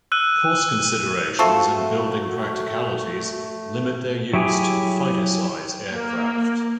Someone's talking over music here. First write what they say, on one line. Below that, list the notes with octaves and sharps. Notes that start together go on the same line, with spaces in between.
Cost considerations and building practicalities limit their use to fighter size aircraft.
E6 F#6 D#7
A3 C4 F4 F#4 A4 E5 C#6
F#3 E4 G4 G#4
A#3